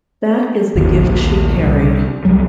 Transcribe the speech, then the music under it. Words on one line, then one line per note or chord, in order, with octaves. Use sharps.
That is the gift she carried.
G1 D#2
A#1 D#2
C2
C2 G2 F#3 G3